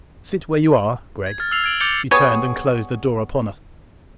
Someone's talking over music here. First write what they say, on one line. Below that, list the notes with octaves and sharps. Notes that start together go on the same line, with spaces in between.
"Sit where you are, Gregg." She turned and closed the door upon us.
G#6
F6 A6
E6 F6 C7 F7
G#6 D7 F#7
D6 G6 A6 C#7 F7 G7
G3 B3 G#4 C#5